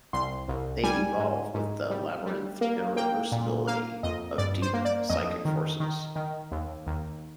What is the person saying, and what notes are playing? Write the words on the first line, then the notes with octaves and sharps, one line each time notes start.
They evolve...with the labyrinthine irreversibility of deep psychic forces.
C2 C6
C2
G3 G#5
G#2
G#2
G3
G3
A#3
A#3 G5
A#2
A#3 F5
F2 D#5
G2 D5
C5
A#3
D5
F2 D#5
D#3
D#3
D#3
D#2
D#2